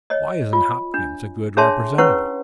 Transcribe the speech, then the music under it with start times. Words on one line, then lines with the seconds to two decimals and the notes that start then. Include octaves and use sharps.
"Why isn't Hopkins a good Representative?"
0.10 C#5 D#5
0.53 F4
0.94 D4
1.57 D4 G#4 C#5 E5 A5 C6
1.98 C#4 E4 B4 C#5 F#5 C#6